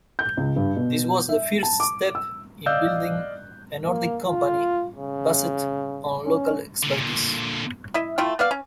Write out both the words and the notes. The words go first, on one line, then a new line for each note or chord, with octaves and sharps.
This was the first step in building a Nordic company based on local expertise.
G6
C#2
G2
B2
E5
A5
D6
E6
D5 D#5 F5 E6 F#6 G6
A#3
F4
C#3
C#4
A#2 D3
E4 D#5 E5
A3 E4 F4 G5
B3 D5 F5
C#4